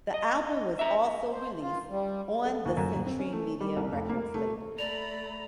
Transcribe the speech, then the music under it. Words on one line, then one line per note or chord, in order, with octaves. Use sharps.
The album was also released on the Century Media Records label.
D#5
E5 A#5
C5
F4
G3
A4
D#2
F#2
D#1
C4
C#4
A3
G3
C2
F1
A#3
A3
A3 D5 A#5 B5 F7